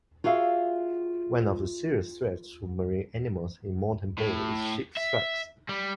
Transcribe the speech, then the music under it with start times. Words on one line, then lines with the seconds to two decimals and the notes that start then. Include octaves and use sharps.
One of serious threats to marine animals in Moreton Bay is ship-strikes.
0.24 F4 F#4 G#4 E5 F5
4.18 A2
4.97 E5
5.69 G3